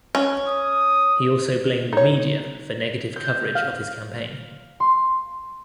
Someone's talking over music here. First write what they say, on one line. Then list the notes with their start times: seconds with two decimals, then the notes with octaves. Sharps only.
He also blamed the media for negative coverage of his campaign.
0.15 C#4
0.47 D#6
1.93 D#4 C#5
3.16 G6
3.55 F5
4.80 C6